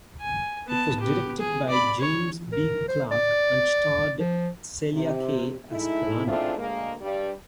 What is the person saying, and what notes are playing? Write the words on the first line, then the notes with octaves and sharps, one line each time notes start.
It was directed by James B. Clark and starred Celia Kaye as Karana.
G#5
B3 A5
B3 G4
G#4
D5 B5
C#5
A#4
C5
D5
F3
C3
G#3 A3 D#4 E4
G#2 A3 C4 D4 E4 F4
D2 G#3 A#3
G2 G3